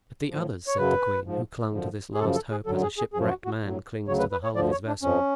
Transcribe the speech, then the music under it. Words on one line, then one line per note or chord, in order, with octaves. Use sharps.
"But the others," said the queen, who clung to this last hope as a shipwrecked man clings to the hull of his vessel.
A2 F3
C#5
F#2 C#3 F#3 B4
G#2 F3
F#2 D3 F3
G#4
F#2 C#3 F3 A4
A4
G#4
F#2 D3 F#3 A4
G#4
G#4
F#2 F3 G#4
F4
F#4
F#4
A2 F#3
D2 C#3 F#3 C#5
B4
B4
C#5
D2 D3 F3 D5
C#5
D4
F2 F3 C#4